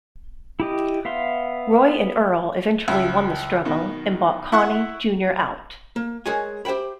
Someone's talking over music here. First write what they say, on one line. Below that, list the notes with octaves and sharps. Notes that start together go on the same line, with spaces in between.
Roy and Earle eventually won the struggle and bought Connie, Junior out.
E4 G4 D#5
B3 E5 F5 C6
C#2 E5
B2 D#3
E4 F#5 C#6 F#6
A#3
G#3 G#4 A#4 C#5 D#5 G#5
G4 C5 E5 G5 B5